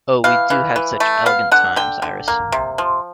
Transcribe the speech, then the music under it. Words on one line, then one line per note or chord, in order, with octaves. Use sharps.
Oh, we do have such elegant times, Iris.
E3 F5
E3
E3
A3
B3 F5
D3 F#5
D3 G5
D3
A#3
C3
F3